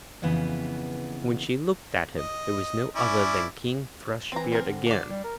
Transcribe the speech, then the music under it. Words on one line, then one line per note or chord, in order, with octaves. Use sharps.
When she looked at him, it was no other than King Thrushbeard again.
F2 C#3 E3 B3
D#5
C#4 E4 D5
E3 C4 A#5
C4 A#4
D3
D4 D5
G3
A#4